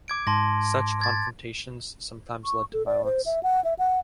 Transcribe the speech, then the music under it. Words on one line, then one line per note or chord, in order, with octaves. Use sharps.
Such confrontations sometimes led to violence.
D6 G#6 D7
G#2 A5 C6 A#6
G#6 A6
C#6
A4
D5
C5
E5
F#5
E5
F#5